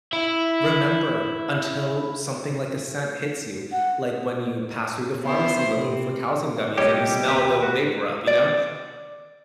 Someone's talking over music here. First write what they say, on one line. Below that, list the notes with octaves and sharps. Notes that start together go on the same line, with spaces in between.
remember until something like a scent hits you, like, when you pass through the pharmacy looking for calcium gummies and you smell the vapor rub, you know?
E4 E5
F#5
B3 E4 C5
C3
C3 G3 G4 C#5 D#5
D#2 G4 B4
F#4
D5